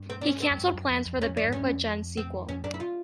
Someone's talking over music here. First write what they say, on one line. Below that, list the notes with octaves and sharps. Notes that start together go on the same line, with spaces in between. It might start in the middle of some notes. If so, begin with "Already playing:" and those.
He cancelled plans for a "Barefoot Gen" sequel.
Already playing: G2
C4
D4
C#4
C4
F#2
G2
F#2
F2
F2
E2 C#4
F2
D4
G#2
G2 C#4
F#2
F2
C4
F2 C#4
F#2 D4
E4
F4